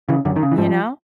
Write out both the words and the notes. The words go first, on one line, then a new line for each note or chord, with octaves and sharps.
Ya know?
C#3 E3
F#2 D3
D#3
C#3
E3
G#2 F3